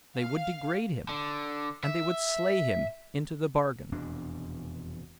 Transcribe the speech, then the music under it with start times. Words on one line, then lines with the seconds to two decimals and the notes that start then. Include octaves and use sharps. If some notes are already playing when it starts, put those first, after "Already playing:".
They would degrade him and they would slay him into the bargain.
0.17 F5
1.09 D3
1.84 E5
3.92 F1 E2 B2 D4